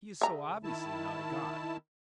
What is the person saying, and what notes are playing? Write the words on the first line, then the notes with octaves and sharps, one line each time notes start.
He is so obviously not a god.
C#3 E5 A#5
D#3 E4 A5